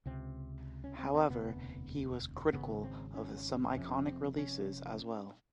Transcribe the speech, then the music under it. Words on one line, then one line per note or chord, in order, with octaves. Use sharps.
However he was critical of some iconic releases as well.
C#2 C3 C4
C#4
C4
C4
E1 D2 C3 B3
G#1 F#2 C#3 B3
C4
C#4
F1 F2 C3 C#4
C4
C#4